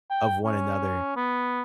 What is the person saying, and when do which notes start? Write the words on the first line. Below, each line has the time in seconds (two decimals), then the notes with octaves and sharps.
of one another.
0.10 G5
0.45 C#4
1.16 B3